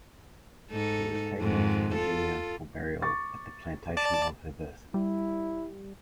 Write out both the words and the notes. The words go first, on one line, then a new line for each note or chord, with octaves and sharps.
She was taken to Virginia for burial at the plantation of her birth.
G#2 D#4 A4
F2 G#2 D#3
F4 A4
C#6 D6 A6
D5 A5
G3 E4